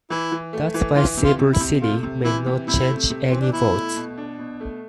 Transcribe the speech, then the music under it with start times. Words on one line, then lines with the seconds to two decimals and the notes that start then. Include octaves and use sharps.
That's why "Silver City" may not change any votes.
0.10 E3 E4
0.32 E3
0.53 A3
0.74 E3
0.96 E3 F4
1.17 C3
1.24 F4
1.39 C3
1.53 E4
1.60 C3
1.82 A3 F4
2.03 C3
2.24 E3 E4
2.47 C3
2.68 C3 E4
2.88 A3
3.10 C3
3.28 E3 C4
3.41 D4
3.53 B2 E4
3.74 A3
3.96 B2
4.18 D4
4.39 B2
4.61 A3